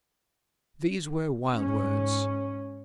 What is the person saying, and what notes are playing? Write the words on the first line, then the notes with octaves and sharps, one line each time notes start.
These were wild words.
G#2 C#4